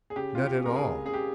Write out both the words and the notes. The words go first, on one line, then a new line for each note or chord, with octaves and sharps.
Not at all.
G#4
C#3 G4
C4 F4
G4
G#3 A#4
G#4
C#2
C#3 G#4
G4